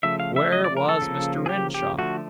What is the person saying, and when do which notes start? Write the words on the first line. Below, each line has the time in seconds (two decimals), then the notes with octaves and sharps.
Where was Mr. Renshaw?
0.03 C#3 F3 A3 E5
0.20 F5
0.36 E5
0.52 D#5
0.64 D5
0.77 A#4
0.89 A4
1.02 C#3 F3 A#3
1.46 G#4
1.49 G4
1.74 G4
1.99 D3 F3 A3 F#4